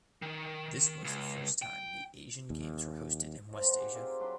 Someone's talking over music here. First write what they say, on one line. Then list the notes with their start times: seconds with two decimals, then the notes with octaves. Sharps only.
This was the first time the Asian Games were hosted in West Asia.
0.22 D#3
1.04 C#2
1.62 G5
2.50 D#2
3.49 F3 D#5
3.62 D#5 F#5 G#5 A#5
3.79 D#4 G4 G#4 G#5
3.95 C4 F4 A#4 D5
4.20 F#3 D4 B5 C6